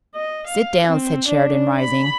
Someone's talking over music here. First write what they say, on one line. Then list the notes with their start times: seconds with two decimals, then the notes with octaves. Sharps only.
"Sit down," said Sheridan, rising.
0.15 D#5
0.47 F5
0.87 C4
1.28 D4
1.80 B5